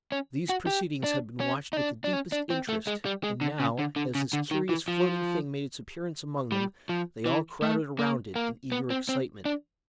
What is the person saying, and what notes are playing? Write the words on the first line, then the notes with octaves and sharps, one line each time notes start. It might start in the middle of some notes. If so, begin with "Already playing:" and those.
These proceedings had been watched with the deepest interest; and now, as this curious floating thing made its appearance among them, they all crowded around it in eager excitement.
C#4
F#4
G4
D4
C#4
D#4
D4
D4
C#4
D4
C4
A3
G#3
G3
G#3
D3
C#3
D3
D3
C#3
D3
D#3
E3
F3
G3
F3
E3
A3
A#3
A#3
B3
C4
C4
D4